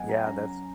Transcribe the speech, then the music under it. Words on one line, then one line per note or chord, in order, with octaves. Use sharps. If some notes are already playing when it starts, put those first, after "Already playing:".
Yeah. That's
Already playing: F#3 B3 D#5 F#5 G#5
A#5
C#4 A#5